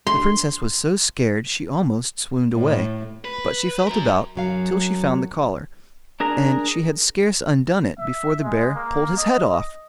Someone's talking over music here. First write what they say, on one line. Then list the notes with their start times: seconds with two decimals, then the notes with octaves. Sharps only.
The Princess was so scared she almost swooned away; but she felt about till she found the collar, and she had scarce undone it before the bear pulled his head off.
0.07 C6
2.53 A2
3.25 B4
3.87 F#3 A#4
4.36 F#2 F#3 F5
6.20 D4 G#4 A#4 A#5
7.98 E5
8.43 G#3
8.75 A#3
9.18 D#5